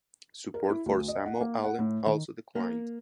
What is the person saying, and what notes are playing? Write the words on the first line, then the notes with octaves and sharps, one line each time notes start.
Support for Samuel Allen also declined.
A#4
E4
D2
D#5
F#5
A#3
F#5
A2
D#3
A#3